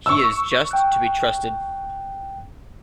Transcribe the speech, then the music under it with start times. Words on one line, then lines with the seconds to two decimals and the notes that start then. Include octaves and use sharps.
He is just to be trusted.
0.06 C#6 E6
0.71 G5 F#6